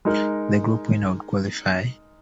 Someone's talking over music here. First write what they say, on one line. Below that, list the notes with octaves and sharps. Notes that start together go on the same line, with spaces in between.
The group winner would qualify.
G#3 D#4 A#4